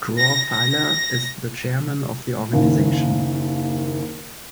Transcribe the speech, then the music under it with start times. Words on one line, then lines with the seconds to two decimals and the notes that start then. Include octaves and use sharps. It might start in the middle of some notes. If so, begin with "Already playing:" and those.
Dror Feiler is the chairman of the organization.
0.20 A#6
0.52 A#6
2.53 F#1 D#2